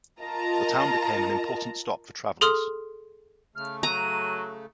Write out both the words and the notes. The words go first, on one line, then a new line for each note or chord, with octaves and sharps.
The town became an important stop for travellers.
F4 A#4 D#5 A5 A#5
G#4 A4 C6 D#6 F6
C#3 A3 F6
F#3 A#5 D#7